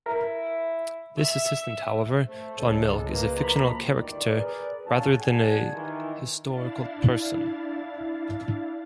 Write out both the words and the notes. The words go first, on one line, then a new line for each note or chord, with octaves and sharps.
This assistant, however, John Milk, is a fictional character rather than a historical person.
E4 A#4
E5
A3 C5
C#2 G#3 A4 C#5
A#3 B4
F3 A#3 A#5 B5
G1 D2 D#3 D5
G#4 A#4 B4 D5
G#1 F#3 C#4 F5 A5
G4 G#4 D5 F#5 G#5 A5
D#3 E3
D4 E4 F5 A6